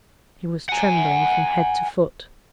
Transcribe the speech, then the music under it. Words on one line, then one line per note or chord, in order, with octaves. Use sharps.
He was trembling from head to foot.
F#5 G#5